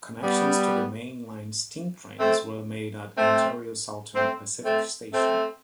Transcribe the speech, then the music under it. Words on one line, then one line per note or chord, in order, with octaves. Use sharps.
Connections to main line steam trains were made at Ontario Southern Pacific Station.
G3 B3
A3 C4
A3 C4
A3 C4
A3 C4
A3 C4